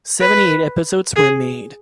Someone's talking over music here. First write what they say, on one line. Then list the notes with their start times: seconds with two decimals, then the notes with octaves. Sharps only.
Seventy-eight episodes were made.
0.20 B4
1.16 G#4